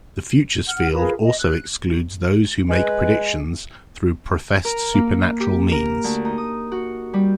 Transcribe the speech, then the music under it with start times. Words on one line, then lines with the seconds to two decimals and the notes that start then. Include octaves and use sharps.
The futures field also excludes those who make future predictions through professed supernatural means.
0.67 F#5 F6
0.92 F4 G#4 A#4 B4
1.21 D#5
1.39 F#6
2.69 G#3 B4
4.65 A#4
4.94 A#3
5.40 G4
5.72 A#4
6.04 D2
6.25 D#4
6.38 D#6
6.72 F#4
7.13 G3